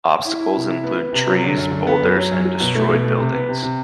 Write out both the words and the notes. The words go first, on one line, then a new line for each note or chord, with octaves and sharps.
Obstacles include trees, boulders and destroyed buildings.
E4
E4
C3
E4
B3
B3
C3
F#3
D3
F#2
D3
B3
F#2
F#3
F#2
F#3
B2
A3
B2
A3
C3
B3
C3
C3